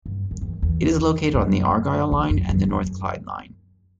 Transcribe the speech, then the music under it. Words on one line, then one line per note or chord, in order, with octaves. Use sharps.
It is located on the Argyle Line and the North Clyde Line.
G2
F#2
E2
E2
F#2
E2
F#2
E2
F#2